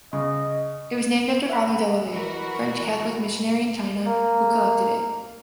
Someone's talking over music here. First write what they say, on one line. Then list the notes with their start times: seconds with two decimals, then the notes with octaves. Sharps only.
It was named after Father Delavay, French Catholic missionary in China, who collected it.
0.13 C#3 D#5
1.49 E5 F#5 B5
2.14 E3 F#4 A#4
4.05 A#3